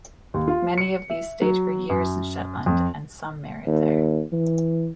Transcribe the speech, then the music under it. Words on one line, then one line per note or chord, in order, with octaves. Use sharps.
Many of these stayed for years in Shetland, and some married there.
D#2
F4
C#7
E5
F#3
F#2
F2
D#2
E3